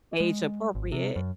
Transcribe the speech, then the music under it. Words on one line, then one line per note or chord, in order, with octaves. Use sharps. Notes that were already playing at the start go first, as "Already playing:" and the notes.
age appropriate."
G#3
G#1
C3
F#2